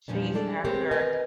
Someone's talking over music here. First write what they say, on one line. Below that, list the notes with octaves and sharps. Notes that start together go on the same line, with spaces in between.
chased after,
E2 A#2 F3 C#4 D4
G3 G#3 D4 A4 D5
B3 C4 G4 G#4 A#4 C#5
C4 A#4 B4 D#5 G#5